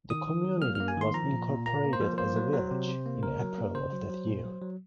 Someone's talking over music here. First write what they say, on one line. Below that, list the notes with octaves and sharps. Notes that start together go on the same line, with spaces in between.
The community was incorporated as a village in April of that year.
D#3 D#6
D#3
F#3
A#3 F6
A#3 F6
G#5
D#3 C6
F3 A#5
A#2
A#2
A#3 A#5
A#3
C5
F3
A#3 C5
F#3
F#3
C3
C3
A#3
C#3 A#4
F#3
A#3
C#3 C5
F#3
F#3
A#2
F#3
F#3